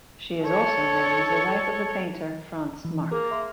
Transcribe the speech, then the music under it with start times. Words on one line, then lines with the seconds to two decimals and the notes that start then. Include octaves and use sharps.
She is also known as the wife of the painter Franz Marc.
0.42 A4 C#5
2.85 E3
3.12 A#3 G#4 A#4
3.31 E5 C6